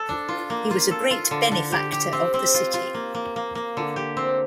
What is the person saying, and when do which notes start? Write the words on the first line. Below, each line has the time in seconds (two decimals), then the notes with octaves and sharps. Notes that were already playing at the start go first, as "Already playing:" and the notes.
He was a great benefactor of the City.
Already playing: A4
0.09 D4
0.28 F4
0.50 A#3
0.70 F4
0.91 A4
1.11 F4
1.31 D3
1.52 D3
1.72 G4
1.92 G4
2.13 C4
2.34 C4
2.54 F4
2.74 F4
2.94 A#3
3.15 A#3
3.36 A#3
3.55 A#3
3.77 D3
3.96 G4
4.17 C4